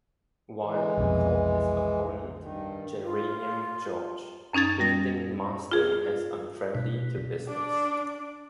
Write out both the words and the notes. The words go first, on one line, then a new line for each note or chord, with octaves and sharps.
Wilde called his opponent "Geranium George", painting Marston as unfriendly to business.
E3 G#3
B1 F2 C3
G2 D#3
F4
F#2 C#4 D#4 G#6 A6
G3 A#6
F4 G#4
B2
D4 D5